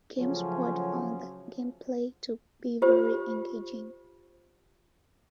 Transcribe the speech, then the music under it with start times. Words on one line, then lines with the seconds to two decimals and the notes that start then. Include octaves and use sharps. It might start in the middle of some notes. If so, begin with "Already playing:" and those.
GameSpot found the gameplay to be very engaging.
0.16 C#3 F3 F#3 A3 C#4
2.82 F4 G4 C5